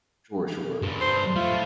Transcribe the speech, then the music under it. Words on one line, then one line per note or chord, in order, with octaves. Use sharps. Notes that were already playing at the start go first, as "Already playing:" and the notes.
Sure, sure.
G2 D3
C5
A3 E4 F4